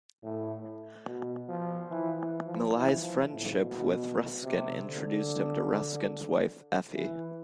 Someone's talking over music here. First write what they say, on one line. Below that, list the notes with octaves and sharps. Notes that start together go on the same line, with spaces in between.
Millais's friendship with Ruskin introduced him to Ruskin's wife Effie.
A2
B2
F3
E3
E3
F3
E3
F3
A2
B2
C3
D3
E3